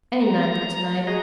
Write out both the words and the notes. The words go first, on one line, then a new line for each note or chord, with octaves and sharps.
Any night but to-night.
A#5
F#4 G#4 D#5 A#5